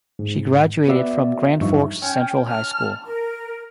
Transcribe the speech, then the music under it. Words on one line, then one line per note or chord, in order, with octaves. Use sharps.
She graduated from Grand Forks Central High School.
G#2
B3 F#4 D5 E5 F#5
G2 F3 D#4 E5 C#6
C#4 G5
A5 F6
A#4